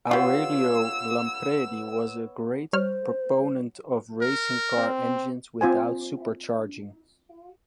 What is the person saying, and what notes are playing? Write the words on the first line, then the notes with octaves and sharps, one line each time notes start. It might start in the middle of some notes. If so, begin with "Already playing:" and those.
Aurelio Lampredi was a great proponent of racing-car engines without supercharging.
B3 F4 G4 C#5 F#5 E6
G3 C5 C#5 F6
A#4
C4
C4 F4 C5 G#5